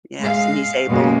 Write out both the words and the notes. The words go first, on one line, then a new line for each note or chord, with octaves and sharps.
yes and he's able
G#3 F5
F#2 B2 G3 G#3 A#3